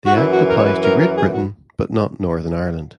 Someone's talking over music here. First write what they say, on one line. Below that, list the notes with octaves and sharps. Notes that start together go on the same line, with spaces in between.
The Act applies to Great Britain but not Northern Ireland.
F#4
F#2 E3 E4
F#4
A#4
C#5
B4
A#4
A#4
G#4
F#4